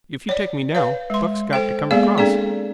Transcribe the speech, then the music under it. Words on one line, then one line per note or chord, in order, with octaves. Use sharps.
If you take me now, Buck's got to come across.
C#5 D5
B4 C#5 F5
G#3 C6
A4 C5 G5
G#3 A#3 B3 G#4 D5 F5
C4 D4 G#4 A4 D5